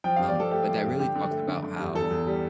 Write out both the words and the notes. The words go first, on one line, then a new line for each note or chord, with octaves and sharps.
Um, but that really talks about how,
F3 G5
G2 F5
D5
F3 A4
A3 G4
F3
G2
D3 G4
D3
A3
D3
D3
G2
E2 A4
E2
G3